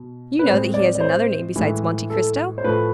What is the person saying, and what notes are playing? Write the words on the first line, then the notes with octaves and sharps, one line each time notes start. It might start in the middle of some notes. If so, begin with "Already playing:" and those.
"You know that he has another name besides Monte Cristo?"
Already playing: B2
B4
A2 G#3 C4 C5
D5
D5
C5
A2 E3 G#3
A4
C5
A2 F3 A3 B4